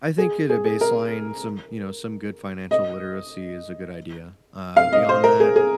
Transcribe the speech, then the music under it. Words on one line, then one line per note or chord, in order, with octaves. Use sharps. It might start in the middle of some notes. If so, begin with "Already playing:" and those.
I think at a baseline, some you know, some good financial literacy is a good idea, uh, beyond that,
G#4
G#4
G#4
A#4
D#5
F5
D#5
C5
A#4
G#4
G#4